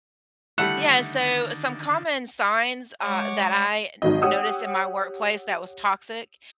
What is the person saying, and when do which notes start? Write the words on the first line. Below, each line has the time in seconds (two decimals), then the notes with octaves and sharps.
Yeah, so some common signs, uh, that I noticed in my workplace that was toxic
0.58 D3 D#3 G3 A3 E4 F#5
3.02 G#3 C#5 F#5 D6
4.02 G#1 D#3 F#3 D#5
4.22 G4 C#5 F#5 D#6 E6